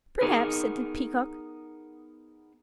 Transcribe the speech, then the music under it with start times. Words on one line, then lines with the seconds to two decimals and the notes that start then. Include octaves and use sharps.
"Perhaps," said the Peacock.
0.21 B3 D#4 G#4 A#4